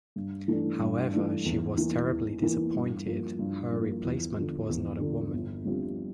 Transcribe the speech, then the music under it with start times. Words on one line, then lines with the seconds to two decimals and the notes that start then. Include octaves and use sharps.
However, she was terribly disappointed her replacement was not a woman.
0.16 G2
0.48 E3 A3 D4
0.80 G2
1.13 E3 A3 D4
1.46 E2
1.78 E3 A#3
2.10 E2
2.42 E3 A#3
2.75 G2
3.06 F3 A#3
3.39 G2
3.72 F3 A#3
4.04 E2
4.37 D3 F3
4.69 E2
5.00 D3 F3
5.33 G1
5.65 G2 F3 C4 G4